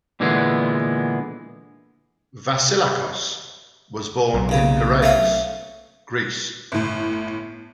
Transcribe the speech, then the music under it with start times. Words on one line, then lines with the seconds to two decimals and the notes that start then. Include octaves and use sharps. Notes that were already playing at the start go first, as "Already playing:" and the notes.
Vasilakos was born in Piraeus, Greece.
0.20 A#2 D3 E3 G#3 B3
4.34 B1
4.49 D#2 C#3
5.03 A3 C#4 F5
6.72 G1 A2